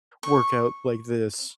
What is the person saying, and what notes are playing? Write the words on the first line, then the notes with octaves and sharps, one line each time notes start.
work out like this,
C#6